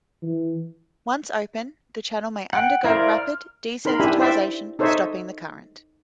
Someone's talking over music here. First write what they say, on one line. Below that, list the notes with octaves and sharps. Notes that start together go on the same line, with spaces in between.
Once open, the channel may undergo rapid desensitization, stopping the current.
E3
F#5 G5
E4 A#4 C5 D5 F5
F6
D#4 A#4 B5 C6
D4 E4 G4 E5 G#5 B5
E4 C5 D5 E5 G5
D#4 A4 C5 C#5 D#5 E5